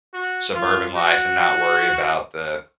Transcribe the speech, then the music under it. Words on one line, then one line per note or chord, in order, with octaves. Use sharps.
suburban life and not worry about the
F#4
F4
F#4